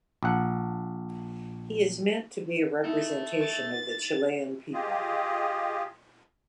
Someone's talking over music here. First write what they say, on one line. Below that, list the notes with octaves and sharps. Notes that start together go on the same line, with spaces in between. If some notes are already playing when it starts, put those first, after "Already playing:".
He is meant to be a representation of the Chilean people.
A#1 F#5
D#4 E4 A4 E5
A6
F4 G4 G#4 D#5